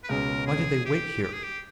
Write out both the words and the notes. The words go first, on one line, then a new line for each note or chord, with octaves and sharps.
Why did they wait here?
B4
C#2 B2 G#3 C#4 A#4
G#4
G4
G4
G#4
G4